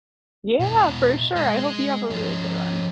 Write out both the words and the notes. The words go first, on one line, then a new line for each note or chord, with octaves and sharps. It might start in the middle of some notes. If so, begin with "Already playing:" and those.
Yeah, for sure. I hope you have a really good one.
B2 E4
G#3
F3 C#4